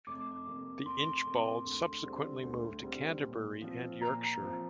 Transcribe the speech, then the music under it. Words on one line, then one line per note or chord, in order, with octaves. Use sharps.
The Inchbalds subsequently moved to Canterbury and Yorkshire.
F1 D6
D6
F2 C3 A#3
F1 C6
F2 C3 A#3
D2
D3 G3 C4
D2
D3 G3 C4
A#2
F3 C4 F4
A#2 A#5
F3 C4 F4